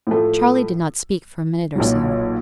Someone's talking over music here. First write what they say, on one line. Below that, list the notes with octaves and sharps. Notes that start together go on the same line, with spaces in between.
Charley did not speak for a minute or so.
A2 F3 A3
B1 A#2 F#3